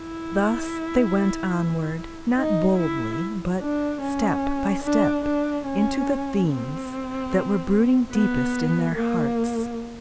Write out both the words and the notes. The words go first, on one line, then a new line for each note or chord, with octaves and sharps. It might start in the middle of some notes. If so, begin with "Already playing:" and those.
Thus they went onward, not boldly, but step by step, into the themes that were brooding deepest in their hearts.
Already playing: E4
D#4
E4
D4
C#4
D4
D4
C#4
C4
B3
A#3